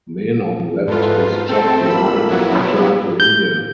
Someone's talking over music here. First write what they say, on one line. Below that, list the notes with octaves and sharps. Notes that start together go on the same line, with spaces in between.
Menon left his job behind and returned to India.
E2 G#2 F4 A4 B4
A3 C4 A4
A1 A#3 F4 B5 E6
F#3 B3 E4
G6